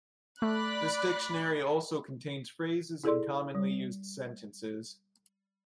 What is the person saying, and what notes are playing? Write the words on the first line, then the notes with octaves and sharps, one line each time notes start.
This dictionary also contains phrases and commonly used sentences.
A3 D5 B5 F#6
E4 G#4 A4 D5 C6
G3